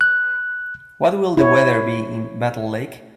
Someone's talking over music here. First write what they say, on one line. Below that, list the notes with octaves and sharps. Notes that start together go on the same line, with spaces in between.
What will the weather be in Battle Lake?
F#6
E4 C#5